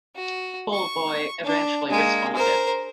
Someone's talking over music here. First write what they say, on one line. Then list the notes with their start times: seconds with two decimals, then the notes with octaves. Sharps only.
Polevoy eventually responded.
0.16 F#4
0.74 C#6
1.44 D4
1.90 G#3 A#3
2.35 A#4 C5